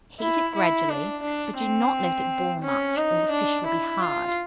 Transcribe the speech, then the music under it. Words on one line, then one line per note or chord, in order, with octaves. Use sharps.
Heat it gradually, but do not let it boil much, or the fish will be hard.
E4
E4
D4
D4
C4
C#4
D#4
D4
E4
F4